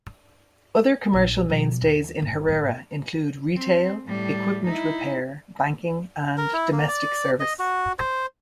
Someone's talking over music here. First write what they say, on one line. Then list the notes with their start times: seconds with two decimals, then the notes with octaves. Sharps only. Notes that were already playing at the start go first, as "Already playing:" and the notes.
Other commercial mainstays in Herrera include retail, equipment repair, banking, and domestic service.
1.13 A#1 D4
1.49 B2 F3
1.82 D#2 E3
2.20 G1 D#3
2.48 A1 G#2
3.56 C4
4.06 A2 G3
4.66 D#4 E4
6.38 A#4
6.53 E4
6.72 A#3
6.88 D5
7.40 D#5
7.59 F#4
7.99 C5